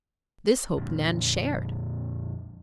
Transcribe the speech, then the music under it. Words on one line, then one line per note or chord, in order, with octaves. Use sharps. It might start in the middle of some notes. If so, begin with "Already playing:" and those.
This hope Nan shared.
F2 A#2 D3